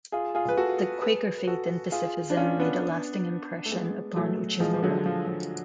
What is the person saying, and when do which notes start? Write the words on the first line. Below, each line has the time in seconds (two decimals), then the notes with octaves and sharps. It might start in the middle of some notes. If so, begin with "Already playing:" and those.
The Quaker faith and pacifism made a lasting impression upon Uchimura.
0.12 F4 G#4
0.35 F4 G#4
0.49 B4
0.57 F#4 A4
1.02 G#4 B4
1.38 B4
1.47 F#4 A4
1.92 F4 G#4
2.30 D4
2.37 C#4 F4
2.59 B3 D4
3.66 A3
3.71 G#3 B3
4.16 F#3 A3
4.60 F3 G#3
4.74 F3
4.82 D3 F#3
5.06 F3
5.27 F3